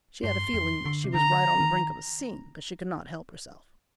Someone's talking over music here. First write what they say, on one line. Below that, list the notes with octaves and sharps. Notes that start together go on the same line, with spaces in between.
She had a feeling that she was right on the brink of a "scene," but she could not help herself.
G2 C6
F2
D3
C3
D3 A#5
D#3